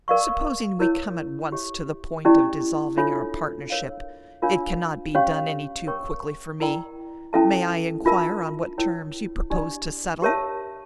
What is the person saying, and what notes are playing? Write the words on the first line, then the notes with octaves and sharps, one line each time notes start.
"Supposing we come at once to the point of dissolving our partnership; it cannot be done any too quickly for me. May I inquire on what terms you propose to settle?"
A#4 D5 F5 C#6
E4 A#4 C#5
G4 C#5 E5
C#4 E4 G4 D5
D4 F4 A4 C#5 E5
A#4 C#5 F5
D4 F4 A#4 C#5 F5
C#4 G4 C#5 F5
A#4 C#5 G5 C#6
E4 A#4 D5 G5 A#5
C#4 E4 A4 E5 A5
D4 F4 A#4 E5 A5
E4 A#4 C#5 G5
D4 G4 D5
G4 A#4 C#5 E5 A5